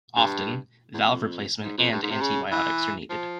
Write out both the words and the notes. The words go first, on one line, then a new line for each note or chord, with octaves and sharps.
Often, valve replacement and antibiotics are needed.
G2
E2
F2
G#2
F2
G2
G#2
C3
C#3
E3
F3